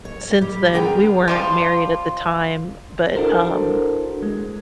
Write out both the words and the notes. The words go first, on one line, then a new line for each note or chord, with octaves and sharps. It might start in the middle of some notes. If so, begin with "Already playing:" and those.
since then we weren't married at the time, but, um,
C#5
G3 G4
B3 F4 G#4 G5 A5 A#5
F3 G3 F4
D4 E4 F#4 A4 A#4 C5
G#3